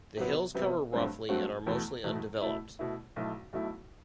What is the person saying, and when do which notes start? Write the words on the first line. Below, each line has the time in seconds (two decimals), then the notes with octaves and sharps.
The hills cover roughly and are mostly undeveloped.
0.17 C3 F#3 B3
0.54 C3 F#3 B3
0.93 G2 F#3 A3 C4 F#4
1.29 G2 F#3 A3 C4 F#4
1.66 E2 B2 A3 E4
2.04 E2 B2 A3 E4
2.41 B2 A3 E4
2.79 B2 A3 E4
3.16 B1 B2 A3 E4
3.53 B1 B2 A3 E4